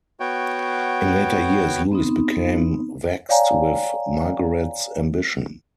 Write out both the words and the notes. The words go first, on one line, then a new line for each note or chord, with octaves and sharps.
In later years Louis became vexed with Margaret's ambition.
B3 F#4 C#5 G5
B3 C4 D#4
C#5 D5 F5 G5 G#5 A#5